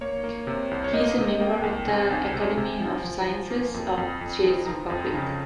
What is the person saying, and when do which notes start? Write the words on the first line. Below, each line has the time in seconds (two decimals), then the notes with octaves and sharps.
He is a member of the "Academy of Sciences of the Czech Republic".
0.01 A#3 C#5
0.24 A#3
0.47 C3
0.71 C2
0.84 C#5
0.94 A#3 D#5
1.18 C3
1.40 A#3 G5
1.63 C2
1.87 C3 G#5
2.11 C2
2.34 C3
2.57 C3
2.80 F3
3.04 F3
3.27 F3
3.51 A#3
3.74 F2
3.98 F2
4.21 F2
4.44 F3
4.66 F3 A#5
4.90 F2
5.14 C#3